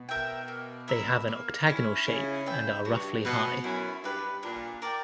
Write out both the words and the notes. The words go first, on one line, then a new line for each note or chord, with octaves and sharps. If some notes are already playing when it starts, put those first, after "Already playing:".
They have an octagonal shape and are roughly high.
Already playing: B2
A#4 E5 G5
A#3
E4 A#4 E5
A#3
C#4 E4
C#3 E4
B4 E5 G5
G2 F#4
B2 B4 F#5
F#2 E4
G2 G4 B4
A#2 D4
A#4 D5 G5